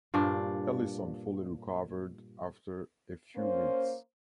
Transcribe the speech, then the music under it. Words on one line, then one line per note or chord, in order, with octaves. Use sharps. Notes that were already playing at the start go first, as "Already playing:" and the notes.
Ellison fully recovered after a few weeks.
G2 A#2 D4 C5
A#3 C#4 C5